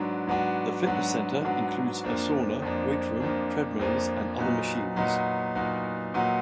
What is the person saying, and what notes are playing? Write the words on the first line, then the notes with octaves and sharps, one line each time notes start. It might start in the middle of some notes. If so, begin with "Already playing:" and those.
The fitness center includes a sauna, weight room, treadmills and other machines.
Already playing: G#2 F#3 B3 D4 F#4
G#2 F#3 B3 D4 F#4
G#2 F#3 B3 D4 F#4
G#2 F#3 B3 D4 F#4
F2 F3 A#3 D4
F2 F3 A#3 D4
F2 F3 A#3 D4
F2 F3 A#3 D4
A#2 F#3 B3 D#4 F#4
A#2 F#3 B3 D#4 F#4
A#2 F#3 B3 D#4 F#4
A#2 F#3 B3 D#4 F#4